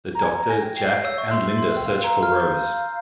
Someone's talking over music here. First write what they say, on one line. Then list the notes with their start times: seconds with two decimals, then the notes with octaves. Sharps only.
The Doctor, Jack, and Lynda search for Rose.
0.15 A#5
0.22 G#5 G#6
0.36 A#5
0.49 G#5 A#6
0.63 G5
0.77 G5 C7
0.85 E5
0.90 F5 G6
1.04 C#5 E6
1.18 E5 C#6
1.31 C6
1.58 C6
1.77 G5
1.86 F5
2.04 A#5
2.23 F6
2.40 G6